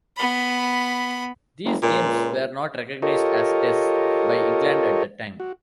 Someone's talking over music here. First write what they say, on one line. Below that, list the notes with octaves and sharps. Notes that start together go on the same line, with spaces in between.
These games were not recognised as Tests by England at the time.
B3 B5
F#1
C#2 A#2
F4 G4 A4 A#4 C#5 D#5
F#4